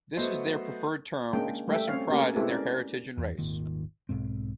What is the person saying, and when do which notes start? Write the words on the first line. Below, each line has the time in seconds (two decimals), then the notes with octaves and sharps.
This is their preferred term, expressing pride in their heritage and race.
0.17 F#3 A3 B3 F#4 C5 D#5
1.33 G#3 A#3 C#4 D4 G5
1.68 G3 A3 E5 G5
1.87 C4 C#4 C#5 F5
2.09 A3 A#3 C#4 G4 A#4
2.35 G#3 C4 E4 G4 A4 B4
2.49 C#4 A#4 D5
3.18 E2
3.38 D#1 G#1 A#2 D#3
4.09 B1 G#2 C4